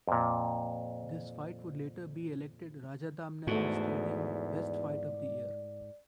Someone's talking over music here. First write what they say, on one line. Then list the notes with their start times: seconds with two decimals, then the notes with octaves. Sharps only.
This fight would later be elected Rajadamnern Stadium Best Fight of the Year.
0.08 F2 A#2
3.47 E2 G#2 A3 F#4 D5